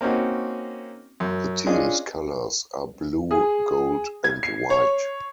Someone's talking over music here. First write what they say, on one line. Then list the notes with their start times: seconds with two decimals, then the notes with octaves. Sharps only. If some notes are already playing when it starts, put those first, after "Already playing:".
The team's colors are blue, gold and white.
0.01 A#3 C4 C#4 D#4 F#4
1.20 F#2
1.66 C#4 D4 F4 G#4 D#5
3.31 G#4
4.24 G#6
4.43 C7
4.70 C#5